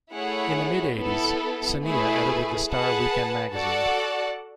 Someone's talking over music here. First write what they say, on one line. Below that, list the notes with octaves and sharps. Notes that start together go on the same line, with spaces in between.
In the mid-eighties, Saneeya edited The Star Weekend magazine.
A3 E4 G#4 C#5 F#5
B3 E4 A4
A3 E4 G#4 B4
G#4 B4 F#5 A5
F#4 A4 D5 F#5 A5